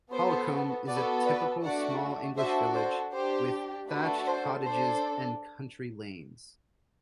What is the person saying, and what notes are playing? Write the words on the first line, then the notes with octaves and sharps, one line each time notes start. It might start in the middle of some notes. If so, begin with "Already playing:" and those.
Holcombe is a typical small English village, with thatched cottages and country lanes.
B3 F#4 A4 C5
B3 F#4 A4 B4 D5
B4 D5
A3 D4 F#4 D5 F#5
D4 F#4 A4 C5 E5
C5
D4 G4 C5
A3 D4 F#4 A4 B4
C5
D4 A4 C5